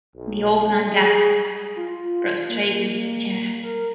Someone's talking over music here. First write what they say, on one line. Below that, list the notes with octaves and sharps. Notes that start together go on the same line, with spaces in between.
The old man gasps, prostrate in his chair.
B1
G#4
F4
A#3
A#4